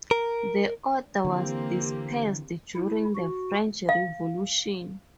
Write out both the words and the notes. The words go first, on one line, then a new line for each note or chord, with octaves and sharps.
The Order was dispersed during the French Revolution.
A#4
D3 E3 A#3 C4 G4
E4
F#4
F5